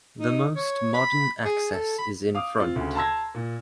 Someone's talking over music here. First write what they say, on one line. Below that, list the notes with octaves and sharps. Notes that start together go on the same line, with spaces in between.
The most modern access is in front.
D#4
C#5
B5
G#4
A4
B5
F5 D6 D#6
C4 F4
D2 C#3
A5 A#5 C6 E6 G#6 A#6
A#2